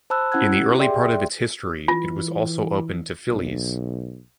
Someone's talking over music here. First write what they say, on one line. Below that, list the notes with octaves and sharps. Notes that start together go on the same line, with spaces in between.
In the early part of its history it was also open to fillies.
C5 A5 B5 E6 F#6
C#4 E4 F#5 E6 F#6 G#6
G4
G#4 D5 E5 G5 C6
E3 F4
B1